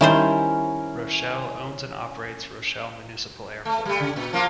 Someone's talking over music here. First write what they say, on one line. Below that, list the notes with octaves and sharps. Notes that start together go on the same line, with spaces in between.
Rochelle owns and operates Rochelle Municipal Airport.
D#3 G3 C#4 E4 A#4 C5
A3
G3 A3
C#3
A#2
F3 A#3 F4